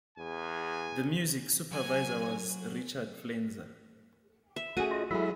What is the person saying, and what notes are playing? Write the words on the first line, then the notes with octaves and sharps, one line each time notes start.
The Music Supervisor was Richard Flanzer.
E2 G#5
F#3 F#5 G#5
E5
A3 C#4 F#4 G#4 G#5
F4 D#5
F#3 G#3 E4 G#4 A4 E5